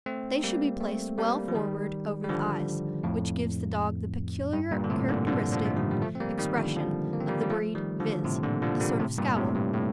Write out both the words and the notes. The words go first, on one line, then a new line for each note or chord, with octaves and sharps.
They should be placed well forward over the eyes, which gives the dog the peculiar characteristic expression of the breed--viz., a sort of scowl.
A3 C4
G3 A#3
A3 C4
G3 A#3
F3
D#3 G3
G3
D3 F3
F2 A2
G2
G2 A#2
D3
A2 C3
A#2 D3
D3 F3
D3 F3
A3
D#3 G3
G3
F3 A3
C4
G3 A#3
D#3 G3
D3 F3
D3 F3
A#3
C4
G3 A#3
G3
F3 A3
D#3 G3
D3 F3
A2 C3
A#2 D3
D3 F3
G3 A#3
A2 C3
G2 A#2
A2 C3
G2
A2